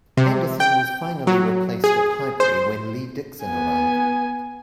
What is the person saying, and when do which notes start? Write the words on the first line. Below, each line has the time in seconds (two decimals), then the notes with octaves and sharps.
Anderson was finally replaced at Highbury when Lee Dixon arrived.
0.17 C3
0.60 G5
1.27 F#3
1.84 G#4
2.40 C5
3.44 B3 G#5